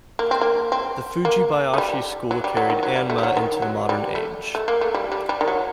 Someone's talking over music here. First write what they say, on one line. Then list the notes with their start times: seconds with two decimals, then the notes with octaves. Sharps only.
The Fujibayashi school carried anma into the modern age.
0.19 A#3
0.31 C4
0.41 A#3
0.72 C4
1.25 A#3
1.74 A3
1.78 G3
2.31 F#3
2.44 G3
2.57 F#3
2.70 D#3
2.83 F#3
2.96 G3
3.10 A3
3.18 G3
3.23 F#3
3.37 D#3
3.62 F#3
3.89 G3
4.15 A3
4.55 A3
4.68 A#3
4.81 A3
4.94 G3
5.12 G3
5.29 G3
5.41 D#3
5.48 F#3